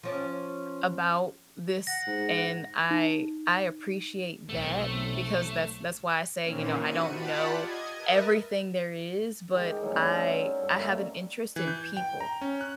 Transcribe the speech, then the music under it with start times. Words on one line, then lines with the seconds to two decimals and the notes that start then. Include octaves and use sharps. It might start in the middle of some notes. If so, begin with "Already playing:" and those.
about this, and I I appreciate that, because that's that's why I say, you know, I don't know everything there is, but I I have an interest in people,
0.03 F3 C#4 D5
1.87 F#5 A#6
2.07 G#2
2.91 D#4
4.49 B1 C3 A3
6.42 A#2 D#3 E3 A#3 C4 C#4
6.81 C3 D#3 F#4 E5 C#7 D#7
7.10 F4 G4 D5 F#5 A5 B5
7.55 D#5 G#6
7.96 A#4 B4 D#5 E5 A5
9.53 G#2 D#3 G4
9.82 A2 E3 F#3 G3
9.94 F#3 C4 C#4 D#4
10.14 A4 A#4
10.61 G2 A4
10.75 G3 A3 A#3
11.56 E3
11.68 G6
11.97 G5
12.21 A#5
12.41 C#4
12.61 F#6